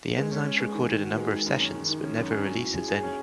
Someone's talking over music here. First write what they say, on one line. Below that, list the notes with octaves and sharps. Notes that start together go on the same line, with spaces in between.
The Enzymes recorded a number of sessions but never releases any.
G#3
C#4
C#4
G#3
D#3
D#3
F#4
G#3
D#3
F#2
C#4
D#3
D#3
C#4
F#2
C#4
F#3
A2
G#4
G#4
C#4